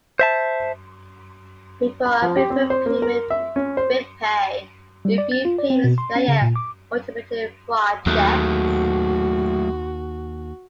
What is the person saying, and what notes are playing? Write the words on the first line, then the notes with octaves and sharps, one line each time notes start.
Before approving payment, Bidpay reviewed payments via automated fraud checks.
C5 E5 A5
B5
F3
G4
C4
C5
A#3
A#4
E5
C#4
C5
G3
D5
A6
F4
D5
C4
B2
C6
C#4
C#3
A#2
D6
D#2 F#3 A3 F#4